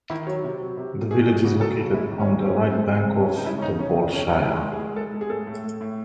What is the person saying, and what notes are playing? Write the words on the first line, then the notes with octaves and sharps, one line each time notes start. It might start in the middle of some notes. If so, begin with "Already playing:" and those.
The village is located on the right bank of the Bolshaya.
D#3 E4
F#3 C#5
C3
F#3
C3
F#3
A3 G#4
A3 G#4
C#3 F#4
F#3 A4
C#3
G#3 E4
D#3
C#4
G#3
C4
G#3 C#4
G#3
C4
G#3
C#3 C4
G#3
C#4
C#3
D#4
C#3 E4
C#4
C#3 D#4
C#3 C#4
D#3
D#3 C#4
D#3 D#4
G#3 E4
G#3
G#4
G#3
G#3 A4
G#3
G#4
A2 A4
A2
A2
A2